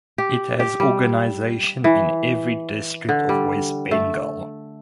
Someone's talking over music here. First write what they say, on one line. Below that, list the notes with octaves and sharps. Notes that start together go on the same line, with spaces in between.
It has organisation in every district of West Bengal.
G4
G4
G3
E3
D3
G3
A3